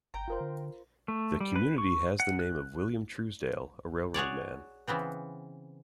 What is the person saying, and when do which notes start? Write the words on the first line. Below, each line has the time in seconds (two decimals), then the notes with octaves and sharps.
The community has the name of William Truesdale, a railroad man.
0.14 G1 G5 A#5
0.28 F#1 F4 A#4 C5
0.40 D3
1.08 A3
1.40 G3
1.56 B4
1.78 C#6
2.20 F#5
2.39 F#6
4.14 F#4 G#4 C#5 D5
4.88 C#3 E3 B3 C4